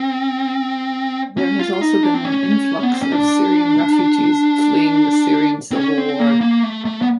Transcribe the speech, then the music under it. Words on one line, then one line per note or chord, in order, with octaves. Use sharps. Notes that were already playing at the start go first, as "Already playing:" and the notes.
There has also been an influx of Syrian refugees fleeing the Syrian Civil War.
Already playing: C4
C#4
F4
D#4
D4
C4
C#4
B3
C4
C#4
D4
C4
C#4
C4
A#3
A#3
A3
A3
B3